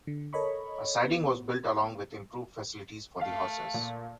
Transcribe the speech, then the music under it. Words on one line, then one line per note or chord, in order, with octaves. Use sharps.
A siding was built along with improved facilities for the horses.
D3
A4 A#4 C#5 D#5 B5 C#6
B3
A3 F5 C7
A#2